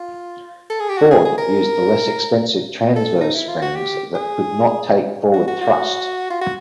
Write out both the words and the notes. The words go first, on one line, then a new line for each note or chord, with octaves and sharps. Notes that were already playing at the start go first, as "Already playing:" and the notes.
Ford used the less expensive transverse springs that could not take forward thrust.
Already playing: F4
A4
G#4
G4
F#4
G#4
G#4
A#4
A4
D#4
E4
F4
F#4
G4
G#4
F#4
F#4
F#4
F4
F#4